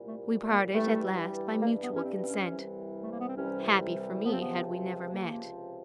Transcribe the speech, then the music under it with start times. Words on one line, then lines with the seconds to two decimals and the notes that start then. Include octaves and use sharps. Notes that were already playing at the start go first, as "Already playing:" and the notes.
We parted at last by mutual consent--happy for me had we never met!
Already playing: C2 A#2 G3
0.08 A3
0.52 A#3
0.74 G2 E3 G3 A3
1.62 G2 E3 G3 A#3
1.83 B3
1.96 C#4
2.05 C4
2.22 C4
2.28 C#4
2.49 C2 C3 E3 G3
3.03 A3
3.12 A#3
3.20 B3
3.28 C4
3.37 C2 C3 E3 G3 C#4
4.25 C#2 C3 F3 B3
4.33 C4
4.42 B3
5.12 C#2 C3 F3 A#3